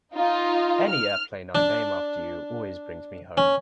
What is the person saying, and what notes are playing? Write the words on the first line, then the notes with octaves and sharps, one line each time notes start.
Any airplane I name after you always brings me home.
D#4 F4
F6
D4
C#4